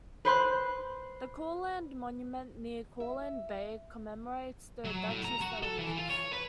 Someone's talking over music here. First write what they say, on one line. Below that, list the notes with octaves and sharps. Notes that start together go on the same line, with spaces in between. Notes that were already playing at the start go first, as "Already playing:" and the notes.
The Courland Monument near Courland Bay commemorates the Duchy's settlements.
B4 C5 C6 F#6
E5
F#3
A2
A#5
F#4
A4
E3
F4
C#5
B4